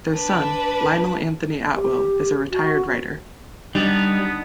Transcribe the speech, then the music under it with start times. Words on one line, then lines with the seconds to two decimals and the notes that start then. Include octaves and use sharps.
Their son, Lionel Anthony Atwill, is a retired writer.
0.15 D4 B4
1.75 G4
2.51 F#4
3.75 G3 B3 D4 D#4